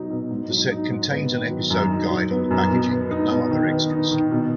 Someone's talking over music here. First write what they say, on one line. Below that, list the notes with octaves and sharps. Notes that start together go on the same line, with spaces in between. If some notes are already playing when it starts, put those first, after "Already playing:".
The set contains an episode guide on the packaging but no other extras.
Already playing: B2 F#3 D#4
B2
G#2
F#3
D#4
G#2
B3
D#3
F#3
F#2
D#4
F#3
B3
F#2
B2
B3
D#4
B2
D#3
B3
D#4
D#3
B2